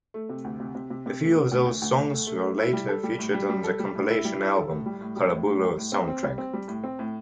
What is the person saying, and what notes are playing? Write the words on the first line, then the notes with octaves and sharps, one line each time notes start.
A few of those songs were later featured on the compilation album "Hullabaloo Soundtrack".
A3
C3
D2
C3
C3
C3
C3
A3
C3
D2
D2
D2
D2
A3
A3
A3
E4
G3
A4
G3
A2
G3
G3
A4
G3
A2
E4
G3
E4
A4
A2
G3
A2
G3
A2
A2
G3
A2
C4
C4
G3
C4
G3
A2
C4
A2